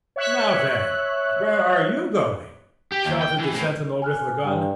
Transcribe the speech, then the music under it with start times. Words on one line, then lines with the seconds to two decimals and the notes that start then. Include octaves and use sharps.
"Now, then, where are you going?" shouted the sentinel with the gun.
0.16 C#5 E5 F#6
2.92 G4
3.05 D#2
3.21 G5
3.39 E3
3.54 A2
4.02 G#5 F6 F#6
4.44 G2 G5